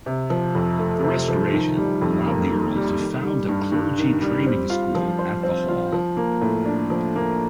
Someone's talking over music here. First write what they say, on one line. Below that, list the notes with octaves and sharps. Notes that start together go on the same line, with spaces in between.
The restoration allowed the earl to found a clergy training school at the hall.
C3
F3
F2
A3
C3
F3
D#3
G3
F2
A#3
D#3
G3
D#3
G3
G2
G2
D#3
G3
C4
F4
F3
C5
C4
F4
F3
A#3
A2
D4
F3
A#3